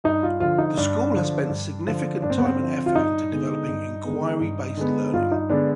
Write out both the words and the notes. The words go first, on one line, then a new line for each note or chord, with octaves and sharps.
The school has spent significant time and effort into developing Inquiry Based Learning.
G2 D#4
F4
D3 F3 F4
D#4
G2 D4
D3 F3
G2
D3 F3
G2 D4
C4
B3
C4
D3 F3
F4
G2 D#4
D3 G#3 B3
G2
D3 G#3 B3
G2
D3 G#3 B3
G2 F4
D#4
D3 G#3 B3 D4